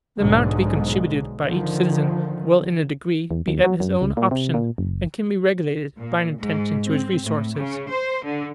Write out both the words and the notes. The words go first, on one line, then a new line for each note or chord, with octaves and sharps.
The amount to be contributed by each citizen will in a degree be at his own option, and can be regulated by an attention to his resources.
B1 G#2 D3 G#3
D3 D#3 F3
E2
D#2
F#3
F#2
C#2
A#2
C3
A#2
F#1
A#2
G#2
C4
A2
C#3
C5
D3